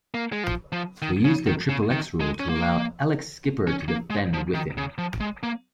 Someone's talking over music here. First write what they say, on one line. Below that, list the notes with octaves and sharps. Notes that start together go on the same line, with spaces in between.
They used their "Triple X Rule" to allow Elix Skipper to defend with him.
A#3
G#3
F3
F3
D#3
C#3
D#3
C#3
D#3
G#3
C#4
A#3
C#4
A#3
G#3
F3
D#3
C#3
F3
G#3
A#3